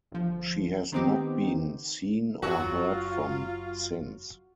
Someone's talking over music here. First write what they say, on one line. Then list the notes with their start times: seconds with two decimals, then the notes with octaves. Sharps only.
She has not been seen or heard from since.
0.12 G1 F3
0.92 D#3 B3 C4 D#4 G4
2.42 F#1 F#3 F4 F#4